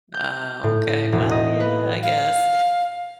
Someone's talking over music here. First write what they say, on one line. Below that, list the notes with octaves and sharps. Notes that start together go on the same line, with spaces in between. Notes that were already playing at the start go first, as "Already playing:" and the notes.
Ah, okay. Well, yeah, I guess.
G6
A2
E1
D#5
B4
F5